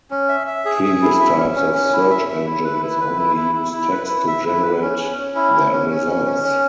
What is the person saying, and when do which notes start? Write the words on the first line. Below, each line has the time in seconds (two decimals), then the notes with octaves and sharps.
Previous types of search engines only use text to generate their results.
0.11 C#4
0.29 E5
0.47 E5
0.65 G#4
0.84 G#4
1.02 E4
1.20 E5
1.37 C#4
1.55 C#4
1.74 C#4
1.92 E4
2.10 E5
2.29 E5
2.46 E4
2.64 B4
2.83 E4
3.01 B4
3.19 E4
3.36 E4
3.55 E4
3.73 E4
3.91 B4
4.08 E4
4.27 E5
4.45 E4
4.63 B4
4.81 C#4
4.99 C#4
5.18 C#4
5.35 E4
5.53 C#4
5.72 C#4
5.90 C#4
6.07 C#4
6.26 C#4
6.44 C#4